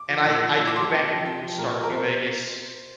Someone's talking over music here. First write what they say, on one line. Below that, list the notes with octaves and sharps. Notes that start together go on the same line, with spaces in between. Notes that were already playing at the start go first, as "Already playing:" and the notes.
and I I did go back and start New Vegas,
Already playing: D6
F3
A#2 E6
F3
A#2 E6
D6
F3 C6
A5
C3 G5
F3
C3 G5
F3
A#2 A#4
F3
A#4
C3 C5